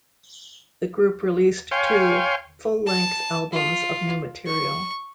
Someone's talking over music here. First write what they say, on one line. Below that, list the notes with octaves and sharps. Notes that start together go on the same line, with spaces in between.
The group released two full-length albums of new material.
C#5 F5 G5 G#5 C6
A5
F4
C#6